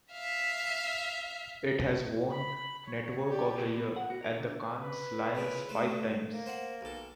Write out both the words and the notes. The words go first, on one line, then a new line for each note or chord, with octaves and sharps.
It has won "Network of the Year" at the Cannes Lions five times.
E5 F5
B5
C#5
G4 D5
B3
F#5
F#4
A#4
D3
B4
A#2 C#3 E3
A3 C5
A#3
C5 F#5
B1 A4